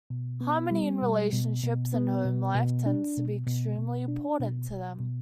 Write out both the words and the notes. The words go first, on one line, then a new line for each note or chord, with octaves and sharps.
Harmony in relationships and home life tends to be extremely important to them.
B2
B3
G3
B2
B2
B2
B3
B2
B2
D4
B2
B2
B2
D4
B2
B2
B2